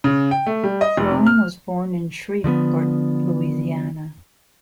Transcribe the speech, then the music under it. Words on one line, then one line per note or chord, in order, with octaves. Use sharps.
Rolling was born in Shreveport, Louisiana.
C#3
G5
A3
G3
D#5
F1
C3
F6
D3 F3 G3 B3